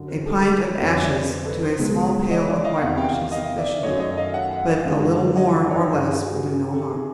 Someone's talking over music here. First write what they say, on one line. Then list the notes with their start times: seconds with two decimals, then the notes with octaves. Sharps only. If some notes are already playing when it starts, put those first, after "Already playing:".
A pint of ashes to a small pail of whitewash is sufficient, but a little more or less will do no harm.
Already playing: F#2 D3 F#3
0.08 A#4 C5
0.26 G4 A4
0.42 G#4 A#4
0.77 F2 D3 F#3 B3 B4 C#5
1.02 C5 D5
1.28 A#4 C5
1.45 A4 B4
1.62 A#4 C5
1.78 C#2 B2 G#3 B3
2.29 C#5 D#5
2.47 D5 E5
2.64 D#5 F5
2.80 E2 C3 D#3 E5 F#5
2.97 F5 G5
3.31 D#5 F5
3.57 D5 E5
3.83 F#2 D#3 F#3 A3 C#5 D#5
3.99 C#5 D#5
4.17 D#5 F5
4.33 E5 F#5
4.51 E5 F#5
4.68 D#5 F5
4.85 F#2 D3 F3 G#3
5.36 C#5 D#5
5.66 D5
5.70 B4 C#5
5.87 G2 D#3 G3 A#4 C5
6.04 G#4 A#4
6.21 F#4 G#4
6.38 F#4 G#4
6.72 G4 A4
6.89 C3 D#3 G#4 A#4